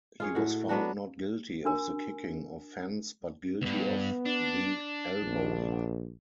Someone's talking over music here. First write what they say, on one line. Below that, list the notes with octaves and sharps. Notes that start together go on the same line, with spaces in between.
He was found not guilty of the kicking offence, but guilty of the elbowing.
F4 G#4 C#5
A2 F#4
F#3 B3 D4 F#4
D4 F#4 A#4 G#5
C#2 G2 B3
D4
A#1